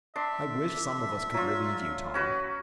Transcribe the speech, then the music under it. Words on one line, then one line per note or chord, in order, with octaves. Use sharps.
"I wish some of us could relieve you, Tom."
D4 E5 C6
F#3 F4
C#4 F#4 B4